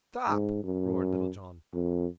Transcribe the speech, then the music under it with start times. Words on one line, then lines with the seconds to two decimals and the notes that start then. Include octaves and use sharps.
"Stop!" roared Little John.
0.28 G#2
0.64 F#2
1.74 F2